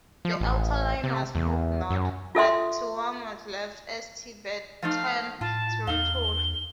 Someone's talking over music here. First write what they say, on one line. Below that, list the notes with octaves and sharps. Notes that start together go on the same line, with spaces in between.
The Outer Line was moved north, but Tawang was left as Tibetan territory.
F3
A1
C3
E2
F#2
F4 A4 E5 C6
F3 A3 D#4 F5
A2 F4 A5
E2 D#4 F5 G7